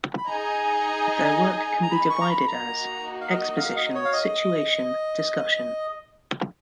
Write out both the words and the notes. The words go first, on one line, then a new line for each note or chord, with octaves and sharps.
Their work can be divided as: Exposition, Situation, Discussion.
B5
D#4 G#4 D#5 G#5 A#5
A#5
B5
C#6
A#5
B5
A#3 D#4 F#4 A#5
F5
D#5
F5
D#5
C#5
F5
D#5